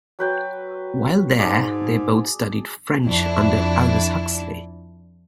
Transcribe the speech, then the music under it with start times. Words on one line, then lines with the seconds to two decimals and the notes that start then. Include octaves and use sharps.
While there, they both studied French under Aldous Huxley.
0.19 F#3 B4 G5
1.38 G#2 G#4 D5 A5
3.06 F2 D4 E4